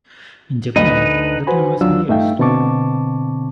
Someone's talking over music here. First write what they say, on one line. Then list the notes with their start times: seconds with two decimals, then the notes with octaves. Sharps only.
In Japan, the term has been used.
0.76 D2 D#4 B4 D#5
1.47 F#4 B4 C5 G#5 B5
1.81 D#2 F#3 D4 F4 E6
2.09 G2 A3 D#4 E5 F5 G5
2.39 B2 D3 C4 A5 C#6 D6